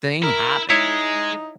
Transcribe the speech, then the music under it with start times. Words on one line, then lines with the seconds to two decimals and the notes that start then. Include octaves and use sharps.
thing happen.
0.23 E4 A#4
0.70 G#3 D#4 E4 C#5